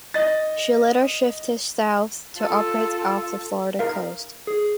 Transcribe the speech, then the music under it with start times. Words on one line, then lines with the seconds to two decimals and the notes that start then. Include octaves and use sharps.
She later shifted south to operate off the Florida coast.
0.14 D#5 A6
2.37 F4 A4
3.79 A#4 F5
4.47 G#4